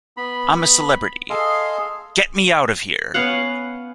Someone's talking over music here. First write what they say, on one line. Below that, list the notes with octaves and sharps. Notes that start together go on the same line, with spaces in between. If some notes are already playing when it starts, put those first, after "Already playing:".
I'm a Celebrity...Get Me Out of Here!
B3 B5
G#4 A4 D#5 F5 C6
B3 C#4 F5 F#5